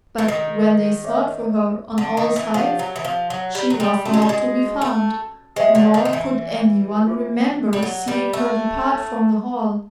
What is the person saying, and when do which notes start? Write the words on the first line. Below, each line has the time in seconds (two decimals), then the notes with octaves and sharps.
But when they sought for her on all sides she was not to be found, nor could anyone remember seeing her depart from the Hall.
0.18 E3
0.28 D#3
1.04 G#4 C#5 E5
1.98 D3
2.17 D#3
2.36 E3
2.54 F3 G4 A#4 D5 F#5 A5
2.79 F#3
2.96 E3
3.05 F3
3.30 F#3
3.55 G3
3.70 F#3
3.80 G3
4.05 A3 C#4 F#4 A4
4.14 G#3
4.22 G3
4.29 G#3
4.82 A3
5.56 G#3 G4 C5 E5 G5
5.75 D3
5.94 D#3
6.05 D#3
6.13 E3
7.08 F4 G#4 C5
7.73 G3
7.83 F#3
8.08 G3
8.33 A3